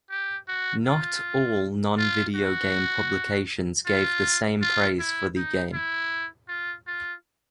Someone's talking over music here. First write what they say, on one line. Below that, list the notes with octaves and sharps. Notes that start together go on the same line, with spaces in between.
Not all non-video game publications gave the same praise for the game.
G4
F#4
F4
F4
F#4
F4
F4
E4
D#4
E4
F4
F4